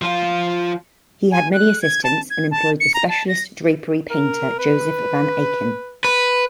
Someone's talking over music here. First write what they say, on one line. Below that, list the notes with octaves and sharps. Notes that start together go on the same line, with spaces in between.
He had many assistants, and employed the specialist drapery painter Joseph van Aken.
F3 F4
G#5
F#6
G#6
A5
G#6
A5
C#7
A#5
A5
A#6
A#4
B4
B4